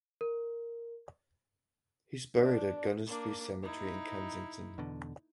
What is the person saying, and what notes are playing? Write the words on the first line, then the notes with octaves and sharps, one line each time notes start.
He is buried at Gunnersbury Cemetery in Kensington.
A#4
D4
A#3 D4
D#4 E4
E2 B2 D3